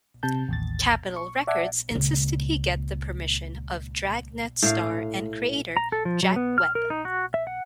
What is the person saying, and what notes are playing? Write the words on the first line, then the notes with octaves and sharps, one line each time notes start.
Capitol Records insisted he get the permission of "Dragnet" star and creator, Jack Webb.
C3 A5 G6
A1 D#2 A6
C#6
D5 E5 F#5 A5 D6 G#6
C#2 A#2
A2 F5
A#5
A4
F3
F#3
B3
F6
A#4
D#4
F#4
E5
F#5